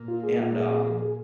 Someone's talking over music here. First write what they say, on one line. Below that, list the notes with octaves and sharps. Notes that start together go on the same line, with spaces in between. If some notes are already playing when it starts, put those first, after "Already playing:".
and, um,
Already playing: A#2 A#3
F4
G#4
F4
G#4
G#4
G#4
G#4